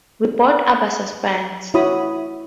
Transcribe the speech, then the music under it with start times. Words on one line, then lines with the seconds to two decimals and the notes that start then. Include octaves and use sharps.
We both abhor suspense.
1.74 E4 F#4 C#5 B5 D#6